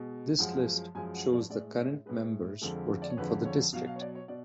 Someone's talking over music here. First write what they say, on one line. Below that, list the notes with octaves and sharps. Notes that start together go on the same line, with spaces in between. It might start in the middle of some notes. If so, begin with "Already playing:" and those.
This list shows the current members working for the district.
Already playing: B2 G#3
F#2 F3 G#3 F#5
F#2 F3 G#3 G#5
F#5
D5
A2 G#3 D5
C#5
A2 G#3 B4
F2 D3 F3 G#3 A4
D5
C#5
F2 D3 F3 G#3 B4
C#5
B2 F#3 F5
F5
C#5
D5
C#5
B2 D5